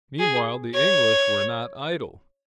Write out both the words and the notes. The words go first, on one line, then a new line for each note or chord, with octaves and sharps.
Meanwhile, the English were not idle.
G#4
C#5